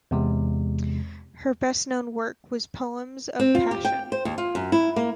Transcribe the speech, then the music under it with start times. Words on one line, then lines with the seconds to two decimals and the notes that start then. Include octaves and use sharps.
Her best-known work was "Poems of Passion".
0.11 E2 C3 G#3
3.40 C4
3.55 F4
3.71 G4
3.85 G5
4.12 C5
4.25 D#2
4.38 F4
4.55 F#2
4.72 E4
4.96 A#3